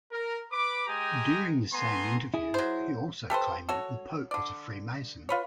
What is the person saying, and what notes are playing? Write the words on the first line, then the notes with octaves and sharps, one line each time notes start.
During the same interview, he also claimed that the Pope was a Freemason.
A#4
B4 B5 D6
G#3 G4 G5 G#5 A#5 D#6
A3 B3 G#5 A#5 C6
E4 G#4
F#3 C5
G4 A4 B4 C5
F#4 A4 C#5
D3 D5
F4 B4 C#5